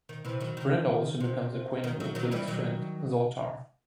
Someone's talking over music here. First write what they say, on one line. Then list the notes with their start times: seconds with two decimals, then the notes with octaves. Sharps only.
Brenda also becomes acquainted with Billy's friend, Zoltar.
0.09 D#3
0.25 C3 E3
0.41 D#3 F#3
0.57 D#3
1.20 C3
1.84 D#3
2.00 D#3 F#3
2.15 D#3 F#3
2.31 E3 G3
2.47 D#3 F#3